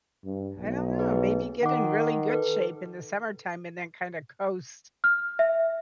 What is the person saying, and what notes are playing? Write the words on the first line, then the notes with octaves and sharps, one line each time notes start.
I dunno. Maybe get in really good shape in the summertime and then kinda coast
G2
B1
G#4 B4
D#3 F#5 D6
A4 B4
F6
E5